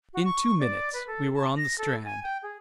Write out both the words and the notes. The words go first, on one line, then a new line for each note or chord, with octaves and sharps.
In two minutes we were on the strand.
F#4
C#6
C#6
D5
B4
A4
A5
A#6
A4
G#5
G5
G#4